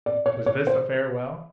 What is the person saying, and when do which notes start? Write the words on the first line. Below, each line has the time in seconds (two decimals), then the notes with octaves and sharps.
Was this a farewell?
0.06 D5
0.26 C#5
0.46 C#5
0.67 C5